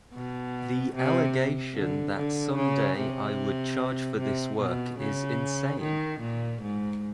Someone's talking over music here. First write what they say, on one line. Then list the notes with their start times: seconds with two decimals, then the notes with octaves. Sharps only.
The allegation that someday I would charge for this work is insane.
0.14 B2
0.95 C3
1.75 D3
2.16 D3
2.56 C#3
2.97 C3
4.19 C3
4.59 B2
4.99 C#3
5.80 D#3
6.20 A#2
6.62 G#2